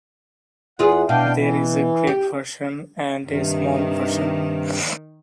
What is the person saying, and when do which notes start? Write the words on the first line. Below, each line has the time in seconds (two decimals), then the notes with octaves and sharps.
There is a great version and a small version.
0.79 E2 F4 G#4 F#5
1.09 B2 D4 F5 G5
1.38 E3
2.07 G4
3.25 G2 C3 D#3